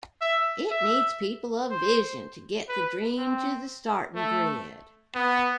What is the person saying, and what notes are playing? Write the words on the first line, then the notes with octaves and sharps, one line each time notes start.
It needs people of vision to get the dream to the starting grid.
E5
E5
C5
B4
C4
A3
B3